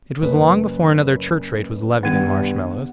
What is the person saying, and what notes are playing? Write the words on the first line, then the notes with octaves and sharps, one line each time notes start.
It was long before another church-rate was levied in Marshmallows.
F#1 B4
G2 D#3 B3 F#5